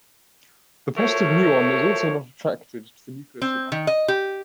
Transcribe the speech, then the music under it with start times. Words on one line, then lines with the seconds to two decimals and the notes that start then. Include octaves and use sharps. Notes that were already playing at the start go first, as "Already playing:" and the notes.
The positive muon is also not attracted to the nucleus of atoms.
0.97 F3 A3 F#4 A#4 C#5
3.42 C4
3.72 D#3
3.87 D#5
4.08 G4